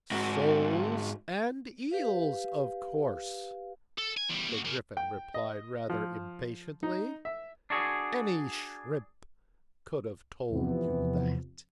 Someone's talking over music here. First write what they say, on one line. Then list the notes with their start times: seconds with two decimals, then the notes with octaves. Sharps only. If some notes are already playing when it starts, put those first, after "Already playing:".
'Soles and eels, of course,' the Gryphon replied rather impatiently: 'any shrimp could have told you that.'
0.11 G#2 F#4
1.91 G4 B4 F5
3.98 A4
4.17 G#5
4.29 E2 G3
4.49 A#2 F#4
4.65 C#3 A#3
4.97 G5
5.34 D#5
5.90 F3
6.83 D#4
7.25 E5
7.70 D4 F#4 G#4
10.51 E2 C3 E3 F3 B3